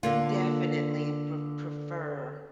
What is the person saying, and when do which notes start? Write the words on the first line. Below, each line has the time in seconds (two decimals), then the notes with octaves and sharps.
Definitely re prefer
0.03 D3 A#3 F4